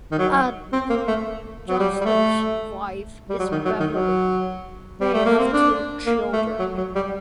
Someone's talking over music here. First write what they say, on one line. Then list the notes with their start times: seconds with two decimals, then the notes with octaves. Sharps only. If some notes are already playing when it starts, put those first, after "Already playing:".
Adm. Johnston's wife is Beverly, they have two children.
0.12 D#3
0.18 F#3
0.73 C4
0.90 A#3
1.08 A3
1.68 F#3
1.79 G3
2.01 G3
2.05 A3
3.29 G3
3.39 F#3
3.52 D#3
3.65 F#3
3.80 D#3
3.92 F#3
5.01 G3
5.14 A3
5.26 A#3
5.39 C4
5.53 D4
6.07 A#3
6.33 A3
6.59 F#3
6.77 F#3
6.95 G3